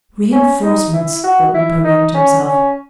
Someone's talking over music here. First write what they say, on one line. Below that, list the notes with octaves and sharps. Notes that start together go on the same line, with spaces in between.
"Reinforcements!" thought Napoleon to himself.
C#4
D#4
E4
F#4
E4
D#4
C#4
C#4